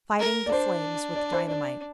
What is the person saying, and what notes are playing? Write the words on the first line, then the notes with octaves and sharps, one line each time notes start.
Fighting the Flames With Dynamite.
A#4
D5
D4 C5
D5
C5
D4 D5